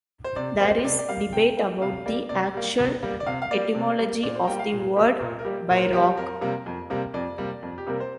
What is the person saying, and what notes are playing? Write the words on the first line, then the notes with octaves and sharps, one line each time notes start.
There is debate about the actual etymology of the word "bierock".
C5
C3 D5
G3 A#3 C5
C3 D5
D5
G3 A#3 F5
C3 G5
G3 A#3
C3 F5
G3 A#3 D5
C3 D5
G3 A#3
C3
G3 A#3
D5
C3 F5
F5
G3 A#3 D5
C3
G3 A#3
A#2 D5
C5
A#5
G3 A#3 G5
F5
A#2
G3 A#3 G4
A#2 A#4
A#4
G3 A#3 G4
A#2 A#4
C5
A#4
G3 A#3 G4
F2 A#4
C3 G3 A#3
F2
C3 G3 A#3
F2 D5
C3 G3 A#3
F2
G4
C3 G3 A#3 A#4
C5